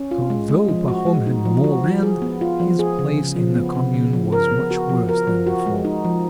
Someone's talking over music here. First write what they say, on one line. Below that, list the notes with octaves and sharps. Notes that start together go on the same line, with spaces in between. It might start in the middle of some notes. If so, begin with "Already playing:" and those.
So though Pahom had more land, his place in the Commune was much worse than before.
Already playing: C#4
F4
G#3
G#3
F3
F#4
G#3
D#4
F3
F#4
F3
G#4
B3
F4
F3
G#4
C#3
C#3
F3
B3
C#3
C#3
F3
A#4
B3
F#4
F3
A#4
F3
F#4
G#3
D#4
F3